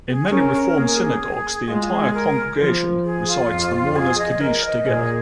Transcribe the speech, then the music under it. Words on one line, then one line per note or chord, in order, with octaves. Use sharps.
In many Reform synagogues, the entire congregation recites the Mourner's Kaddish together.
G#4
C#4 A#4
A#4
A#3 G#4
G#4
G#3 F4
F4
G#4
A#4
F3
G#4
F4
F2
G#4
D#5
A#4
D#5
A#2 G#4